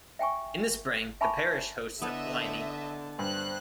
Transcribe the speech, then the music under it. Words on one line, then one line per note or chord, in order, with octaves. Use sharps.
In the spring, the parish hosts a Blini.
E5 G5 G#5 C#6
E5 G#5 A5 B5 C#6 D6
D3 B3 E4 A4 D#5 E5 A5
G2 C5 F#6